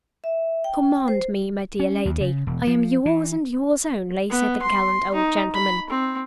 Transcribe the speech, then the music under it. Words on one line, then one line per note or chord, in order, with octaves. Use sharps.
"Command me, my dear lady--I am yours and yours only," said the gallant old gentleman.
E5
G5
C5
C#4
D#2
C#3
E1
F3
E3
B3
C6
D#4
B5
C4